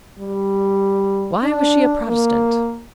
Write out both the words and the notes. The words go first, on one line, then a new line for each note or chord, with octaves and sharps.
Why was she a Protestant?
G3
D4
A#3